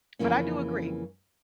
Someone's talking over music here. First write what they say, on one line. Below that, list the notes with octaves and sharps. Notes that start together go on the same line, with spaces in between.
But I do agree
F2 C#3 E3 A#3 C#4